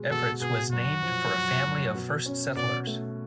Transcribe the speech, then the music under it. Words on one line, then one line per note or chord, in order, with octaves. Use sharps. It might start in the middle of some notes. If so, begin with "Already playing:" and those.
Everetts was named for a family of first settlers.
Already playing: B2 G#3
B2 A4
B2 G#4
F#2 F#4
F3
F#2
F#2
B2
C#4
B2 D5
A3